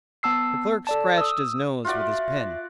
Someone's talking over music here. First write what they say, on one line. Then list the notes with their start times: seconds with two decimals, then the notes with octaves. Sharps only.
The Clerk scratched his nose with his pen.
0.23 B3 A5 E6 C7
0.87 A4 D5 A5
1.18 D#6 E6
1.85 F4 F#4 D5 E5